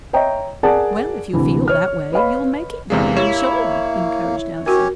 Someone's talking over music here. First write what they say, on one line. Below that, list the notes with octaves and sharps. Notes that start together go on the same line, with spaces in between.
"Well, if you feel that way, you'll make it go, I'm sure," encouraged Allison.
C#5 D#5 E5 G5 A#5
G#4 A#4 D5 F#5 A5
D2 C3 E3
C#5 F6
B4 C#5 D#5 F5 B5
E2 C3 G#3 A#3
E4 G4 C#5
C#4 F#4 G4 A#4 C#5